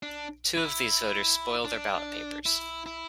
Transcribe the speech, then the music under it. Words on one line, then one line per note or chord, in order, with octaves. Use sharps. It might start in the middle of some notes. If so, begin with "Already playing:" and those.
Two of these voters spoil their ballot papers.
D4
E4
D4
E4
E4